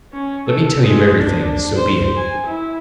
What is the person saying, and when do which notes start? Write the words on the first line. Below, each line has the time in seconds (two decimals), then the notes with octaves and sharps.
Let me tell you everything, so be it.
0.13 C#4
0.47 A4
0.82 G#3
1.20 D4
1.76 C5
2.17 G#5
2.47 E4